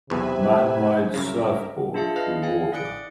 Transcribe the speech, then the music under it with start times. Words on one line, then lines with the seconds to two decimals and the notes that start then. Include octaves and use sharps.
Man rides surfboard through water.
0.10 B1 E2 C3 B4 E5 G#5
1.14 C2 F#2 C#3 A#4 E5
1.94 D4 F4 G#4 E5 F5 A5
2.16 B4 D#5 F5 F6
2.42 G#4 F5 G5 G#5
2.72 E4 D5 D#6 F#6 C#7 D7
2.85 D6